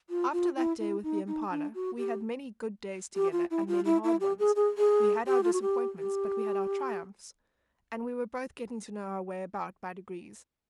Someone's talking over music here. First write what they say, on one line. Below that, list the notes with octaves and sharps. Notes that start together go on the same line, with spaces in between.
After that day with the impala we had many good days together and many hard ones: we had our disappointments, but we had our triumphs; and we were both getting to know our way about by degrees.
F4
F4
E4
E4
D#4
D#4
D4
F#4
G4
G4
F4
E4
F4
E4
E4
G4
G#4
G#4
G#4
G4
F4
F#4
G4
G4